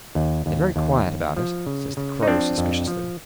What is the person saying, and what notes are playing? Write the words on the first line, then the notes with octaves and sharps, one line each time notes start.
"They're very quiet about it," says the Crow suspiciously.
D#2
D#2
D#2
D#2
F3
C#3
C#3
D#4
F3 C4 D4
F2
F3